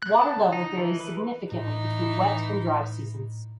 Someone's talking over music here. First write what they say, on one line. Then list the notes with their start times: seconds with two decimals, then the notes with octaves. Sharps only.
Water level varies significantly between wet and dry seasons.
0.02 F#6
0.22 A5
0.53 D#4
0.78 E3
1.01 B4
1.52 A2 E3 D#4